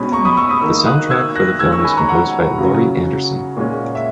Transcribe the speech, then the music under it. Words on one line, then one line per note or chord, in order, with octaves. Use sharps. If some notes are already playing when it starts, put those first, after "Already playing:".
The soundtrack for the film was composed by Laurie Anderson.
Already playing: B2 G#3 C#4 B5 D#6
A#5 C#6
B5 D#6
C#6 E6
B5 D#6
D#3 A#3 D#4 C#6 E6
D#6 F#6
E6 G#6
F#6 A#6
D#3 G#3 C#4 E6 G#6
C#6 E6
G#5 B5
A#5 C#6
F#5 A#5
C#3 F#3 C#4
A#2 G#3 C#4
E5